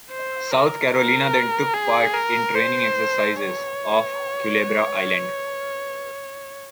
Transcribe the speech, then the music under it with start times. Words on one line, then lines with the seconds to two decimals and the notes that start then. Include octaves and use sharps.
"South Carolina" then took part in training exercises off Culebra Island.
0.11 C5
0.51 A#4
0.93 A#4
1.74 G#4
2.14 A#4
2.55 C5
3.37 C#5